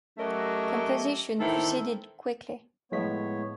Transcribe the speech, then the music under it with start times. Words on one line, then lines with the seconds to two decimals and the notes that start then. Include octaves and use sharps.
Composition proceeded quickly.
0.18 F#3 A3 C#4 G4 A#4 D#5
1.40 A#2 D#3 E3 C4 E4 A4
2.92 A2 F3 G#3 A3 B3 C#5 D#5 B6